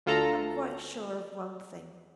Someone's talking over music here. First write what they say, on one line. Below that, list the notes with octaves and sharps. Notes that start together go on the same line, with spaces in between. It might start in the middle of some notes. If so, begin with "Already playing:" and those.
I'm quite sure of one thing.
D2 F4 A4 A#5